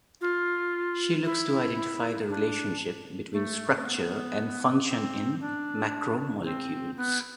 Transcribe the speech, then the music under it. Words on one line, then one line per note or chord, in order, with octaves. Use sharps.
She looks to identify the relationship between structure and function in macromolecules.
F4
E4
D4
A3
A3
B3
C4
D4
C4
B3